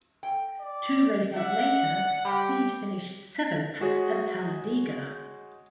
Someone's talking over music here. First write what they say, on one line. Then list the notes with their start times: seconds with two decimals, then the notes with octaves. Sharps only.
Two races later, Speed finished seventh at Talladega.
0.23 G5
0.60 D5
1.34 D4 E5 F#5
2.25 G3 G4
3.80 G#3 F#4 G#4 C#5